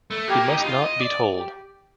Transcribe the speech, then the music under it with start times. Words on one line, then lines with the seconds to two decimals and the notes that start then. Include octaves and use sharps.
He must not be told.
0.10 A3
0.28 A#3 G4
0.46 D#4
0.59 D#4
0.64 F4
0.82 D#5
1.00 D5
1.35 G4